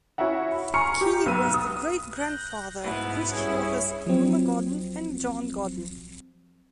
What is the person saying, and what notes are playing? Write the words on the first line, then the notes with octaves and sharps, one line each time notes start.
Key was the great-grandfather of British authors Rumer Godden and Jon Godden.
C#4 E4 F#4 E5 F#5
B5
G#5 A#5 C6 C#6 F6 C#7
G4
B1 B3 E6 F6 D#7
D#6
F#6 G6 A#6
G#2 B2 B3 E4
G2 C#4 E4 G#4
F3 F#3 C4